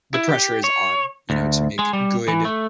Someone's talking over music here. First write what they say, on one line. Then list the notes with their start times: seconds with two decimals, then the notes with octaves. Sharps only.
the pressure is on, you know, to make good
0.14 E4
0.29 G4
0.64 C#5
1.30 D2
1.79 G#3
1.93 G3
2.28 E3
2.45 A3